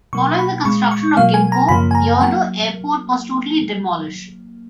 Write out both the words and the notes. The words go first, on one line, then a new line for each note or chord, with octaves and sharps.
Following the construction of Gimpo, Yeouido Airport was totally demolished.
B2 F#3 A#3 C#6
B5
A#2 G#3 C#6
C#6
B2 F#3 A#3 F5
G#5
A#5
F#2 C#3 F3 A#3 B5
G#5
A#5
F#3 A#3 F#5